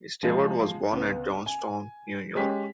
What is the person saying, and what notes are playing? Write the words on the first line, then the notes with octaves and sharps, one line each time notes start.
Stewart was born at Johnstown, New York.
F3 G#3
C#2 B3
G#5
G#3 C#4 G4 B6